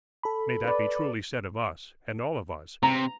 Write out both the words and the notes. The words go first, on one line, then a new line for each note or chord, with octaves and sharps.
May that be truly said of us, and all of us!
A4 B5
B4 D5
C3 A#5